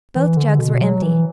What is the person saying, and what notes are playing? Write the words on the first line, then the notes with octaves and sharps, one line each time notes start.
Both jugs were empty.
E3
D3
B2
F#3
E3